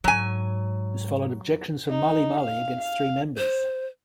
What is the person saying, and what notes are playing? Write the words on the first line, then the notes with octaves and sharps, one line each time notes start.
This followed objections from Malimali against three members.
G#2 F#3 G#5
D#4
F5
F5
C5